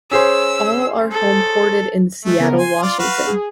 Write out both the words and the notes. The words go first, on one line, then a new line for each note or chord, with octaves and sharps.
All are homeported in Seattle, Washington.
C#4 G#4 C5 E6
A4
G#3 A3
C#3 B3 A#4
G#5 C6
F4 D5
F#4 B4 F5
G#4